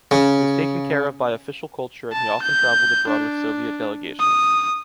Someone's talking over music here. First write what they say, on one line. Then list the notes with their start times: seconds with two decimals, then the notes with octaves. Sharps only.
He was taken care of by official culture and he often travelled abroad with Soviet delegations.
0.11 C#3
2.12 A5
2.43 G6
3.08 D4
4.20 D#6